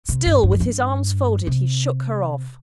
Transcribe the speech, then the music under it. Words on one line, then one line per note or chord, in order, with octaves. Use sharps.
Still, with his arms folded, he shook her off.
C3
G2
G2
F2
G2
C3